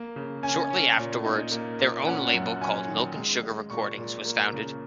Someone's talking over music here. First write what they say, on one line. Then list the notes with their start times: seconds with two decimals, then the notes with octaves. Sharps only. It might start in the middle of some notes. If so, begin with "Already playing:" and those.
Shortly afterwards, their own label called Milk and Sugar Recordings was founded.
Already playing: A#3
0.16 C#3
0.43 C#4 G#5
0.70 C#4
0.98 A#2
1.25 D#4
1.52 A#3
1.80 A#2
2.07 C#4 F#5
2.25 F#5
2.34 F#2
2.43 F#5
2.61 C#4 G#5
2.88 D#3
3.16 G#3
3.43 G#3
3.70 A#2 C#6
3.98 A#2
4.25 A#3
4.53 C#3